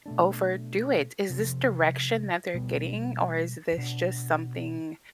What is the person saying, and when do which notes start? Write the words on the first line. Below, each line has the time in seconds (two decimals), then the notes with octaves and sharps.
overdo it. Is this direction that they're getting, or is this just something
0.06 B2 A3 D4
1.30 C3 F3 C4
2.54 B2 G3 B3
3.78 B2 B3 D4